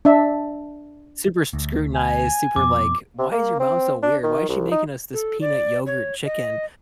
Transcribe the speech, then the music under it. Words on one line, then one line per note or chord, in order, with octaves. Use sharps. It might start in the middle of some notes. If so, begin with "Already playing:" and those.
Super s scrutinized, super like, "Why is your mom so weird? Why is she making us this peanut yogurt chicken?"
D4 E5
D2
G#5
F2 B2 D6
C3
A#3
C4
D4
D#3
C2
D#4
A4
D5
C#5
D#5